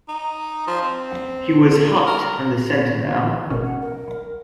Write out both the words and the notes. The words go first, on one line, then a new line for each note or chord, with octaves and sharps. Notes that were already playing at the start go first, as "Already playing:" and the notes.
He was hot on the scent now.
D#4
F3
C4
A#2
A#4
G#1 B2 C#4 A#4
F#5
A#4